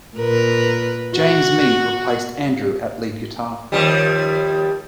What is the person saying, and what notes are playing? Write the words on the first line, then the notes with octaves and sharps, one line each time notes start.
James Mead replaced Andrew at lead guitar.
A#2 A#4 B4
F#4
D#2 F3 G3